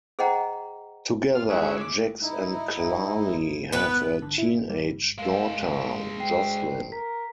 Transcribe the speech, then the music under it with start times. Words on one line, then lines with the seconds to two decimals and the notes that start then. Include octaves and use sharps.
Together, Jax and Carly have a teenage daughter, Josslyn.
0.19 G#4 C5 D#5 F#5 G5 A#5
1.35 F4 F6
1.50 G#3 C#4 E4 G#4 F#6
1.80 D6
2.22 D#4 E4
3.72 B3 B4
4.22 D3
4.38 E4
4.69 G3
5.18 G#3 A#4 E5 F5
6.20 D2 G5 C7
6.92 A#4 B6